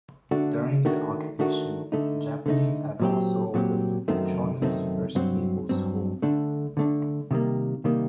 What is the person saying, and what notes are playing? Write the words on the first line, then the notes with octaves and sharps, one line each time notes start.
During the occupation, the Japanese had also opened the Shonan First People's School.
D3 A3 D4 F#4
D#3 A3 D4 F#4
D#3 A3 D4 F#4
D3 A3 D#4
D3 A3 D#4
A#2 F#3 C4 G4
A#2 F#3 C4 G4
F#2 D#3 A3 C4 D#4
F#2 D#3 A3 C4 D#4
G2 F#3 C4
G2 F#3 C4
D3 A3 D4
D3 A3 D4
C3 D#3 G3 A#3
C3 D#3 G3 A#3